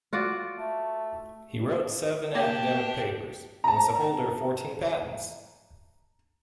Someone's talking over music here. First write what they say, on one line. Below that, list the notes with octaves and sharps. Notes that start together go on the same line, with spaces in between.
He wrote seven academic papers and was the holder of fourteen patents.
F4 F#4 D5
A3
A#3 D4 G4 G5 A5
A5 A#5